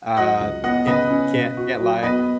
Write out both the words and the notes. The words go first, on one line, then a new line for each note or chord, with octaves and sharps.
Uh, can't can't can't lie.
F#3 D#5 F#5
C#2
B3 D#5 F#5
C#3 B4 D#5
C#4
B2
F#4
F#3
B3 B4 D#5